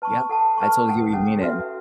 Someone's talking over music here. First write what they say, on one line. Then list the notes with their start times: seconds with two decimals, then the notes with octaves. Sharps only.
Yeah, I totally hear what you mean, and,
0.02 B4 A5 C#6
0.29 A4 F#5 A5
0.58 B4 A5 C#6
0.86 C#4 A4 F#5
1.13 C#4 A4 F#5
1.42 F#4 B4 E5